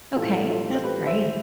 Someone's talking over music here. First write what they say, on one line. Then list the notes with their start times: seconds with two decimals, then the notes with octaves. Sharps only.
Okay, that's great.
0.16 A2 E3 G3 F4 A4
0.49 F4 A4
0.74 C5
0.84 G4 B4
1.06 C5 E5